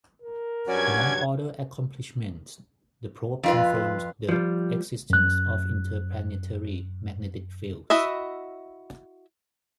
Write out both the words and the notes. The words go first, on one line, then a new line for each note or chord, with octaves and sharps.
Among other accomplishments, the probe confirmed the existence of interplanetary magnetic fields.
A#4
G2 F#3 C#4 D5 G#6
F2 F4 B4
F3 G3
F#2 F#6
E4 F#4 D#5 E5